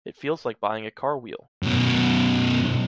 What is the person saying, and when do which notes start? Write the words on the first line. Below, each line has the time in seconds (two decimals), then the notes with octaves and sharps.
It feels like buying a car wheel.
1.63 F#2 B2